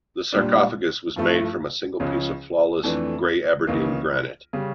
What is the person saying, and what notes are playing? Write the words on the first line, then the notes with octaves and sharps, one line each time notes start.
The sarcophagus was made from a single piece of flawless grey Aberdeen granite.
A#2 G3 D4
G2 F3 A3 E4
C#2 C#3 F3 C#4
F2 E3 A3 D4
C#2 C#3 E3 A#3
C#3 G3